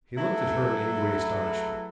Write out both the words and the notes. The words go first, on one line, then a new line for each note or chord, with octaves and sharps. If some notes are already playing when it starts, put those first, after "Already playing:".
He looked at her in angry astonishment.
F#3 A3 E4 G#4 A4 B4